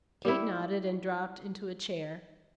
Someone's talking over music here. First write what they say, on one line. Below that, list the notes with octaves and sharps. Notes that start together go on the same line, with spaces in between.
Kate nodded and dropped into a chair.
G3 E4